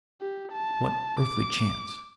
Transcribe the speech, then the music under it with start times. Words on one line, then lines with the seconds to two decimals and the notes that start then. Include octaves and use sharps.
What earthly chance?
0.21 G4
0.53 A5
1.20 D6